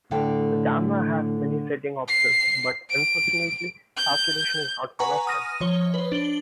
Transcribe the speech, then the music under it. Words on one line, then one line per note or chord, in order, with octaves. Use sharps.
The camera has many setting options, but, unfortunately, saturation is not one of them.
A2 D3 F5 G5
C7
D7
G6
B4 F#5 G#5 A#5 C#6
D#6 F6 A#6 D#7
F3 C#5 G7
B4 C5
D4 F#7 G7